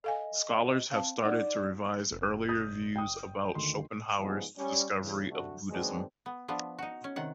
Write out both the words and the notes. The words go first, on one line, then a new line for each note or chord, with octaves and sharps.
Scholars have started to revise earlier views about Schopenhauer's discovery of Buddhism.
A4 D#5 F5 G#5
C4 F5 A5
D#4 D5 F#5
F#1
D#6 G6
G5 D#6
D2 D#3 C6
G#2 C#3 F3 G3 B3 G#4
G3 C#4
E2 C#3
D2 C3 G3 A3 D4 F#4
D#3 F#3 G#3 B3 C4 D4
B3
F3 B3 D4
D#4 F#4
C#4
C3 D#3 F#5